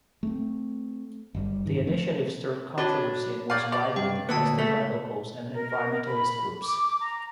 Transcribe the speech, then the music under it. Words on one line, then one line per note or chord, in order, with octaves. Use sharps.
The initiative stirred controversy and was widely protested by locals and environmentalist groups.
A3 C4
F#1 G3
G#2 D#3
F3 A3
D4 F#4 C#5 B5
D5 F5 A#5 G6 G#6
D5 D#5
G2 G5
D2 A#2 B3 A5 E6 F#6
C#2 A3 E6 B6
A#4
B5
D6
A#5